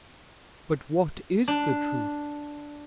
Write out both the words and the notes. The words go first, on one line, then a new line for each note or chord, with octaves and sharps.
"But what is the truth?"
D4